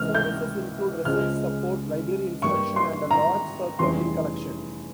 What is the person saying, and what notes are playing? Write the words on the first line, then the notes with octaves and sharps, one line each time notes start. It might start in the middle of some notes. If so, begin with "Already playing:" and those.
Services include research support, library instruction and a large circulating collection.
Already playing: C#2 C3 E3 A#3 F6
G6
C#2 C#3 F3 G#3 F6
G2 G3 A#3 C#6
C6
A#5
F1 E2 E3 G3 C#4 C6